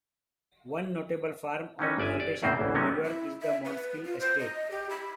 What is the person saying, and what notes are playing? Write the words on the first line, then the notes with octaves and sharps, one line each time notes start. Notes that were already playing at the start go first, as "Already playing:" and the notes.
One notable farm or "plantation" in New York is the Montskill Estate.
D#3 E3 C#4 D#4
G1 D5 E5 G#5
D5
E2 A2 C#3 A#3 C4 C5
A1 D2 E3
C3 F#3 A3 B3 C#4 D#4
E4
E5
B4
F4
C5
D#5
G4
B5